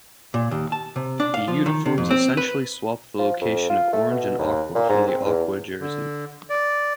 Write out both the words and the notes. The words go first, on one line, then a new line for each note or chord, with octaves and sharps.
The uniforms essentially swapped the location of orange and aqua from the aqua jersey.
A#2
D#2
A5
C3
D4
F5
F3
D#3
C3
F2
C4
B4
F3
F2
F4
A3
B2
D#2
A#2
G#2
C4
E2
D3
D5